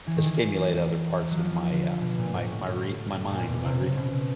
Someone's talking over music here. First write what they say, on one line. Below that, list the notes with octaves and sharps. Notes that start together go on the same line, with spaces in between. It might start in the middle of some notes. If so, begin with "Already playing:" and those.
to stimulate other parts of my, uh, my my rea my mind and my reading.
E3
D#3
E3
F#3
F3
D3
B2
A#2
A2
A2
A2
A#2
B2
C3
C#3
B2
B2